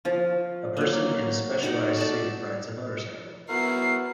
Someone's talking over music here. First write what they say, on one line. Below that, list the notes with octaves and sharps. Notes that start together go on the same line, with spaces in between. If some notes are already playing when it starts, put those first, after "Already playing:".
A person in a specialized suit rides a motorcycle.
F3 F4
F#3 A#3
D#4 F#4 F#5 D6
A4 D5 A5
B3 E4 F#4 A#4 C7